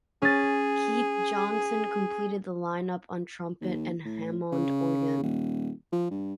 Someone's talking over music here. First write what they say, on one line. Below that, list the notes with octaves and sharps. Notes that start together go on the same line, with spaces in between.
Keith Johnson completed the line-up on trumpet and Hammond organ.
C#4 G#4 A6
D#2
A2
C#3
D#1
F3
G2